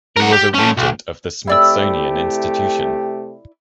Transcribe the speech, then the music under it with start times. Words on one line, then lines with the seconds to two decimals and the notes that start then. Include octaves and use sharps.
He was a regent of the Smithsonian Institution.
0.17 A#4 F#5
0.33 G4
0.55 A3 C#4
0.78 B1
1.47 C3 A3 E4 G4 D5 E6